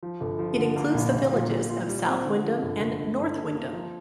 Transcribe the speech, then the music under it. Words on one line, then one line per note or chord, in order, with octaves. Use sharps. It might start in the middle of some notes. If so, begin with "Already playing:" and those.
It includes the villages of South Windham and North Windham.
F3
G1
F3
D3
A#3
A#1
A#1
A#2
G3
F4
G3
C4
D3
F3
G1
G1
G2
G2
A#3
A#3
F3